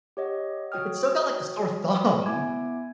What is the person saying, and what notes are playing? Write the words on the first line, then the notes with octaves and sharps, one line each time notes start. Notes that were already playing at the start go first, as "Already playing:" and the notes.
It stuck out like a sore thumb.
G4 C#5 D#5 F#5
F#4 C#5 G5 D#6 F6
B3 E4 E5 G#5 D6 G#6